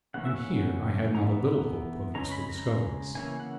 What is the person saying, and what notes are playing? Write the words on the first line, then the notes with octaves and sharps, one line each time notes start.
And here I had not a little hope of useful discoveries.
C#3 E3 A#3 C#4 F#5
E5
F#5
E3 B3 A#5
C#3 G#3 C#4 A#5
B5
A#5
C#3 E3 A#3 C#4 G#5
F#5